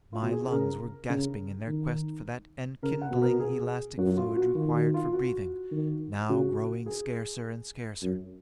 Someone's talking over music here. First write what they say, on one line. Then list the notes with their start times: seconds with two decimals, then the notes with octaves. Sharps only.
My lungs were gasping in their quest for that enkindling elastic fluid required for breathing, now growing scarcer and scarcer.
0.13 F4
0.23 B2
0.32 G#4
0.47 G#4
0.52 C#3 A#4
1.10 C#3
1.68 D#3
2.83 C#3 A#4
3.02 F#5
3.11 B2
3.21 A#4
3.40 G#4
3.98 F#2 F#4
4.10 F#4
4.17 F4
4.36 F#4
4.55 D#3 F4
4.75 F#4
4.94 F4
5.13 F#4
5.71 D#3
6.29 C#3 F#4
6.86 G#4
8.02 F#2